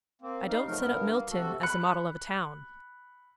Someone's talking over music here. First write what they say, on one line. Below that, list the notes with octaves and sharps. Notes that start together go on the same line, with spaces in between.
'I don't set up Milton as a model of a town.'
A#3 C4
G3 D#4 F5
C#3 F3 F#3 A3 D#4 A#4
G2 B3 A#4
A#3
C3 F#4 A4
B5 F#6 C#7